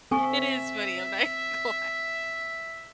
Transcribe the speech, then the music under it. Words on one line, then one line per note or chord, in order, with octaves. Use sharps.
It is funny, I'm not even gonna lie.
C4 A4 E5 G#5 C#6